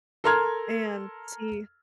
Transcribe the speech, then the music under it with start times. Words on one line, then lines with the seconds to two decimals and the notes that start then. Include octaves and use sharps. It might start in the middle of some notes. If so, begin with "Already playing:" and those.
and see
0.24 A4 A#4 A#5 C6 F6 G#6